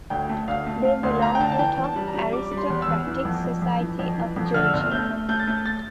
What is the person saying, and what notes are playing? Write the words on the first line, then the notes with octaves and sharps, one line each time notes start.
They belonged to the top aristocratic society of Georgia.
D2 G5
A3
D2 F5
A3
A3 F5
D2 C6
A3 A#5
G5
D3 A5
A5
E3 G5
E2
A5
G3
A#5
G3
G3 D6
G3
C6
E2
E6
E2
E3
F2
F2
F2
E3
F2
E3
F2
D3 F6
E6
G1 F6
A3 G6
A3
A3 G6
A6
A3 G6
A6